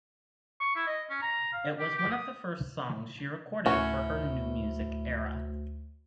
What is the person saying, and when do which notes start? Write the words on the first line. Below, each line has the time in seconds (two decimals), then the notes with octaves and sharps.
It was one of the first songs she recorded for her "new music era".
0.60 C#6
0.75 E4
0.87 D#5
1.10 C#4
1.22 A#5
1.53 F5
1.79 G4
1.98 G4
2.11 D#6
3.66 D2 A2 C#4 F#4